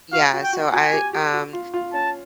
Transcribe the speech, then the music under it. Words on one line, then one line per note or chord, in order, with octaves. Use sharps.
yeah, so I, um,
F#4 F5
F#4
G5
F#4
F#4 G#5
G4
G4
F#4
F4
F4
C#4 A5